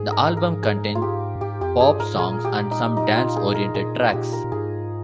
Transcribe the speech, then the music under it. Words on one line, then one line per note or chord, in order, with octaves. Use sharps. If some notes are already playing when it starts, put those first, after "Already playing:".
The album contains pop songs and some dance oriented tracks.
Already playing: G#2 G#4
A#4
A#4
G#4
F4
G4
G2
G#2 G4
F2 G4
G2 G#4
G#2 A#4
C3
A#2 G#4
G4
D#4
D#4
F4
G#4
A#4
A#2 G#4
A#2 G4
A#4
A#2
G#2 G#4